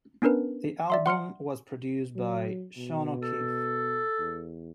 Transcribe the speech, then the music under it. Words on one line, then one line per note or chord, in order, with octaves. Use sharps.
The album was produced by Sean O'Keefe.
B3 C#4 D4 A#4 B4
D5 E5 C6
F#5 C6 F6 C#7
F#3
B2
A4
E2